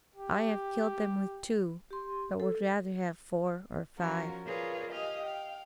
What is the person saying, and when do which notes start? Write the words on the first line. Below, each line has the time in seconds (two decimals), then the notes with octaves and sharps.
I have killed them with two, but would rather have four or five.
0.16 G4
1.91 G4 C6
2.40 A4
3.98 F3 C#4 F#4 A#4
4.46 F4 G#4 A#4 B4 C#5 D5
4.90 G4 D#5 F5 G#5
5.22 F5 G5